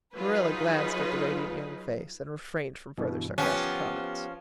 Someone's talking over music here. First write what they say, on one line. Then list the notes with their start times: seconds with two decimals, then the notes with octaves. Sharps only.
Marilla glanced at the radiant young face and refrained from further sarcastic comments.
0.15 F#3 D#4 F4 G#4 B4
2.98 G2 B2 E3
3.38 F3 B3 C#4 G4 F#5